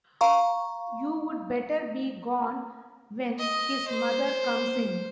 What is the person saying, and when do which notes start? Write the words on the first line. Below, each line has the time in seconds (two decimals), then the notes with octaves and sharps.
You’d better be gone when his mother comes in.
0.21 F5 A#5 C#6
3.39 D#5
3.89 C5